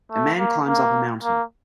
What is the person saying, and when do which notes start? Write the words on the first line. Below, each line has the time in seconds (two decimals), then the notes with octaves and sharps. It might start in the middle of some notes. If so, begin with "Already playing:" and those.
A man climbs up a mountain.
0.12 A3
0.39 A#3
0.67 A#3
1.23 A#3